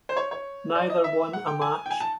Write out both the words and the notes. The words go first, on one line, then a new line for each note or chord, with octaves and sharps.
Neither won a match.
C5
C#5
C#5
D5
D#5
E5
F#5
G5
G#5
G5
G#5
A5